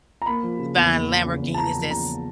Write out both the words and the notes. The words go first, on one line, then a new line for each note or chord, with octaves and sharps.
buying Lamborghinis that's
A#5
A#3 B5
F3
C#3
E2
A#3
F3
C#3
E2
A5
A#3 A#5
F3
C#3 A#5